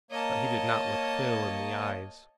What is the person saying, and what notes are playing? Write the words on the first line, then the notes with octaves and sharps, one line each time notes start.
But he did not look Phil in the eyes.
A#3 C#5 D#5 A5